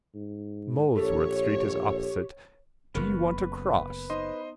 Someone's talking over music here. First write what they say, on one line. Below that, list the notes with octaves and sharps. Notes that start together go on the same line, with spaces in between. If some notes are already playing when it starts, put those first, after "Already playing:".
Molesworth street is opposite. Do you want to cross?
G#2
A#1 G4 A4 C#5
F#1 C#3 B3 F#4 A#4 B4
D#4 C5 D#5 C6